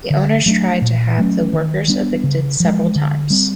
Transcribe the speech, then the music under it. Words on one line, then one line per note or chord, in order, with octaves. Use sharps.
The owners tried to have the workers evicted several times.
D3
F#3 A3 D4
A#2
F#3 A3 C#4
D#3
G3 B3 D4
C#3
F3 G#3
D3
G3 C4